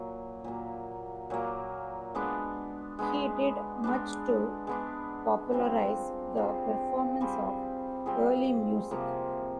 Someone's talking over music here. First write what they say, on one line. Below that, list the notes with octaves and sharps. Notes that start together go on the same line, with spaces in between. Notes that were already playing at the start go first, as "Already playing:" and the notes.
He did much to popularize the performance of early music.
Already playing: A#2 F#3 A#3
A#2 F#3 A#3
A#2 F#3 A#3
G#3 B3 D4
G#3 B3 D4
G#3 B3 D4
G#3 B3 D4
G3 C4 F4 G#4
G3 C4 F4 G#4
G3 C4 F4 G#4
G3 C4 F4 G#4
C3 F3 A#3